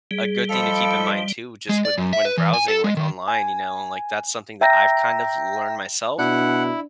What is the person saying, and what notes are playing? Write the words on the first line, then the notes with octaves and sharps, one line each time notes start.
a good thing to keep in mind too just when when browsing, like, online. You know, like, that's something that I've kind of learned myself.
G3 G#4
F3 A4 D#5 F5 B5
G#3
D5
F#2
E5
B4
E3
G#5
A4
G#3
D#3
G#5
E5 G5 A#5 G6 A#6
B2 D4 E4 F#5